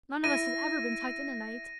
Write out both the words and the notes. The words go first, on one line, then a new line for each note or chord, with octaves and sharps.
"None of us has ever been tucked in at night."
E4 A#6 D#7